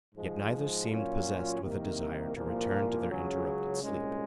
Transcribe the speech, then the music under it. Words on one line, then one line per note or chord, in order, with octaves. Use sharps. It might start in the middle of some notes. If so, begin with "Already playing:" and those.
Yet neither seemed possessed with a desire to return to their interrupted sleep.
G#2 F3 G#3
A#2 F#3 C#4 F4
C2 C3 D#3 A#3
C2 A#2 F3 A#3
C#2 C#3 F#3 C#4 G#4
C2 A#2 G#3 C#4